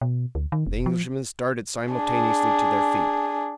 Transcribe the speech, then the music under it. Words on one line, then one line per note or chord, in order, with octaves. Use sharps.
The Englishmen started simultaneously to their feet.
B2
D2
D#3
F1
F3
D4 G#4